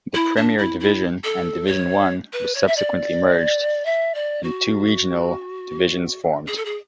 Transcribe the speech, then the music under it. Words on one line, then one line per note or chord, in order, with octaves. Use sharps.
The Premier Division and Division One were subsequently merged, and two regional divisions formed.
E4
D4
E4
E4
A4
C#5
B4
C#5
E5
D5
E5
D5
F#4
G#4
A4
G#4